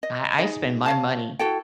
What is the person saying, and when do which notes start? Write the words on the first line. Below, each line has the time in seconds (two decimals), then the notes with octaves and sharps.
I I spend my money
0.03 D#5
0.38 D#4 G#4 D#5
0.86 C#5 F5 A5
1.39 E4 F#4 A4 G5